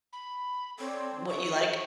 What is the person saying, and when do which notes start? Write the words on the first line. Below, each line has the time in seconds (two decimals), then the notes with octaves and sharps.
what you like?
0.13 B5
0.80 C4 A4 C#5 D5
1.29 F#4 G#4 A4 E5 C#6